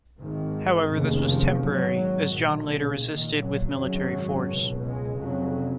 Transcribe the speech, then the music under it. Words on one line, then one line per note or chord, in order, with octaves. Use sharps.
However, this was temporary, as John later resisted with military force.
G#1 G#2 D#3
F1 D#2 C#3
F3
G#1 G#2 F#3
B1 A#2 D#3
C#3
A#1 A#2 D#3
F#3
G#1 F#2 C#3
C#2 B2
G#3
F1 F2 C#3 F#3